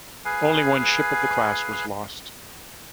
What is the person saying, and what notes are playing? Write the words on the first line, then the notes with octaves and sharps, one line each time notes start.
Only one ship of the class was lost.
G#4 B4 F5 G#5